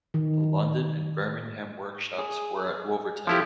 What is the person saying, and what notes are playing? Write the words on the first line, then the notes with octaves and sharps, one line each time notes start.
The London and Birmingham workshops were at Wolverton.
D#3
G#4
F3 E4 F4 G4 A4